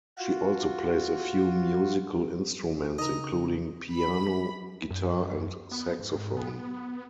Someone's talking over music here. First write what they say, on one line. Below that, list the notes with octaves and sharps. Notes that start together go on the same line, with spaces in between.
She also plays a few musical instruments including piano, guitar and saxophone.
F4 F#4
C#3 D#4 A#4 D#5 A#5
B5
F#2
B3
G#2
B3